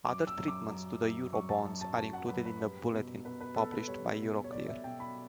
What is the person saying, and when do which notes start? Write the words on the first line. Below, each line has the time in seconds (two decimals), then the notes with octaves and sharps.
Other treatments to the Eurobonds are included in the bulletin published by Euroclear.
0.06 F#2 D6
0.27 E6
0.37 F#2
0.48 D6
0.70 F#2
1.01 F#2
1.33 F#2 C#6
1.49 A5
1.65 F#2
1.81 A5
1.97 F#2 A5
2.13 F#5
2.29 F#2 B4
2.45 B4
2.60 G3 B4
2.92 B2
3.25 B2 B4
3.41 B4
3.56 B2 A4
3.72 B4
3.88 G3 C#5
4.21 B2
4.44 C#5
4.52 B2 D5
4.68 E5
4.84 B2 G5
5.00 B5